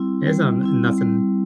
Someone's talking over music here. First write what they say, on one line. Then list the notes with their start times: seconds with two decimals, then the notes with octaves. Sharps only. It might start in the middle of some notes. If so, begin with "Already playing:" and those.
it's not nothing,
Already playing: G3 C4 E4
0.27 G3
0.63 C4 E4
0.98 G3